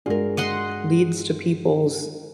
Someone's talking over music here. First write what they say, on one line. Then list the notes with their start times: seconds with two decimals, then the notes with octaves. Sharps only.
leads to people's,
0.06 G2 G#3 D4 F4 F#4 G#4 A#4
0.37 D#5 F#5 C6